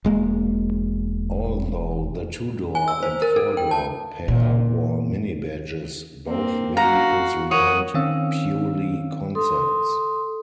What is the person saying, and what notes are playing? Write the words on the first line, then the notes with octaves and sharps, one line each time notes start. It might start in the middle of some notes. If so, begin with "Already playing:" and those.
Although the two-door and four-door pair wore Mini badges, both vehicles remained purely concepts.
E1 G#3 A#3
G#5
E6
C5
A#4
A4
G5
A5
A#2
A#3 C4
F#4 F5 F#5 A#5
A#4 C#5 F#5 D#6
D#3 C4 C#4 C#5 F5 E6
A4 C6 D#6